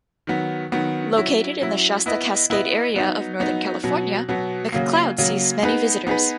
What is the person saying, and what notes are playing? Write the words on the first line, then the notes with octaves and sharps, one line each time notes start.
Located in the Shasta Cascade area of Northern California, McCloud sees many visitors.
D#3 F#3 B3
D#3 F#3 B3
F#3 C#4 E4
F#3 C#4 E4
B3 E4 B4 D#5
B3 E4 B4 D#5
F#3 B3 D#4
F#3 B3 D#4
B2 F#3 B3
B2 F#3 B3
C#3 F#3 A#3
C#3 F#3 A#3
B3 D#4 G#4 B4
B3 D#4 G#4 B4